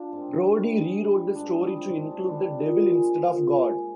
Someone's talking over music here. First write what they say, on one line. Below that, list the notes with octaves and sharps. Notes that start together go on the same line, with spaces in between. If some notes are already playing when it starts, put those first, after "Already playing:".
Brody re-wrote the story to include the Devil instead of God.
Already playing: D4 F4
G#2 C4
G3
G#2
G3
G#2 D4
D#4
G3
C4
G#2 D4
D#4
D4
G3 D4
A#2 D#4
G#3
A#2
G#3